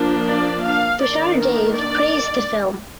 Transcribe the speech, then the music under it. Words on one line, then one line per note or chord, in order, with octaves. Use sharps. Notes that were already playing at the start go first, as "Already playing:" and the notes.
Tushar Dave praised the film.
Already playing: F3 A#3 D4
D5
F5
D#3 A#3 D4 D5
A#4
D5